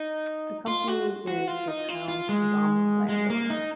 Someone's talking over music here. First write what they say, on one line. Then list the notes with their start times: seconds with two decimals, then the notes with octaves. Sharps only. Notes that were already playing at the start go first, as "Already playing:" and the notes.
The company is the town's predominant landowner.
Already playing: D#4
0.67 F4
0.88 F#4
1.27 F#4
1.47 F4
1.68 D#4
1.89 F4
2.08 F4
2.29 G#3
3.09 G#3
3.30 A#3
3.50 D#4